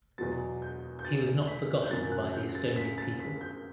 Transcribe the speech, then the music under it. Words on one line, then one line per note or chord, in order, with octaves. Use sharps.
He was not forgotten by the Estonian people.
E2 B2 F#3 A6
G6
G6
A6
B6
G6
F#2 D#3 F#3 A6
F#6
G6
A6
B6
A6
B6
G6